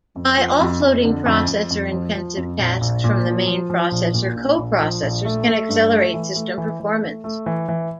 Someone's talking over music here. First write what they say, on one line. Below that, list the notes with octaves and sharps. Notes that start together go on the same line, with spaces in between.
By offloading processor-intensive tasks from the main processor, coprocessors can accelerate system performance.
F2
F3
F2
F2
D3
F2
F2
F2
F3
F3
F2
A#1
A#1
A#2
F3
F3
F3
A#1
A#2
A#1
A#1
F3
A#1
A3
A3
G2
A3
E3
A3
E3
E3
A3
A3
E3
E3